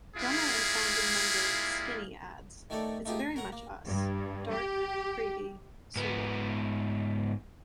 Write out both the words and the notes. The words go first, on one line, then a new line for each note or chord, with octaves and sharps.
Drummer and founding member Skinny adds, It's very much us: dark, creepy, surreal.
G3 G#3 A#3 E4 F4 G#4
D#3 A3 D#4 A4 C#5 D5
A3 D#4 F4 G4 G#4
G#5
A#4 C#5 F#5 A#5
A#3
G2
G4
G#2 B3